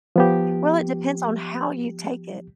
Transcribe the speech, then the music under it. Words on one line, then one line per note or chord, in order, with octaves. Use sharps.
Well, it depends on how you take it.
F3 B3 G4